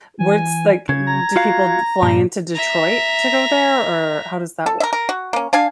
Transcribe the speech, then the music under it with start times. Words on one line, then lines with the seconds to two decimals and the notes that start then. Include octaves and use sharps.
What's like do people fly into Detroit to go there or how does that work?
0.20 E3 G#5
0.89 C#3 G#6
1.07 A#5
1.36 F4 F#4 F5
2.03 G2 A#2
2.55 E5 A#5
4.66 A4
4.80 A#4 E5
4.93 A#4
5.09 F#4
5.33 A#3 C#4
5.53 D4 F5 G#5